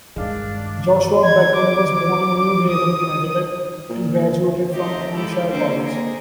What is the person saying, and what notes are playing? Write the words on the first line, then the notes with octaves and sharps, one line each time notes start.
Joshua Beckman was born in New Haven, Connecticut., and graduated from Hampshire College.
G2 D#3 G#3 D4 F5
G#6
D6
D#6
A#2
A3 C4 D#4 G4 A#4
G#3 E4 F4 G4 A4
D3 D#3 A#3 C4 C#4
A#3 G#4 A#4